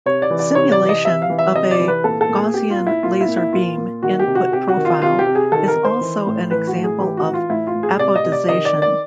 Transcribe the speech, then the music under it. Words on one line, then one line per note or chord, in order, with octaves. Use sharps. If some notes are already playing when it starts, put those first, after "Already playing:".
Simulation of a Gaussian laser beam input profile is also an example of apodization.
C3 C#5
D5
E3
D5
C3 C#5
D5
E3
D#5
C3 E5
F5
E3
E5
C3 D#5
D5
E3
B4
A#2 A4
A4
A#2
G#4
A#2 G4
F4
A#2
E4
A#2 F4
E4
A#2
E4
A#2 F4
A#2
D#3 F#4
G4
C3
F#4
C3 G4
F#4
D#3
F4
C3 F4
G4
C3
G#4
D#3 A4
A#4
D#3
C5
E3
A2
E3 B4
F#4
A2
G#4
E3 G4
F#4
E3
F4
A2 E4
F4
A2
G#4
C3 D5
D#5
C3
D5
D#3 D#5
D5
D#3
D5